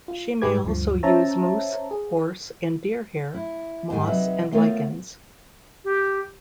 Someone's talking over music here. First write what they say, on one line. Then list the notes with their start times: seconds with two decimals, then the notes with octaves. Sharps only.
She may also use moose, horse, and deer hair, moss, and lichens.
0.08 F4
0.42 G#2 G4 G#4 B4 D6 G#6
0.64 D2 G2 F3
1.03 C#4 C5 C#5 E5 A5 A#5
1.91 G#4
3.34 E4
3.90 G#2 D3 G3 G5 G#5
4.05 C3 F#3 D#4 B4 E5
4.52 A3 B3 F4 A#4 C#5 F5
5.85 G4